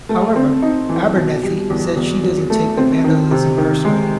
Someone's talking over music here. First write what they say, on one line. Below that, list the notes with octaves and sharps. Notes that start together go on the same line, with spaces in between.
However, Abernethy said she doesn't take the vandalism personally.
A3
C4
D#4
E3
B2
G3
E2
E2
F#3
A3
C4
D#3
C3
D#3
G#3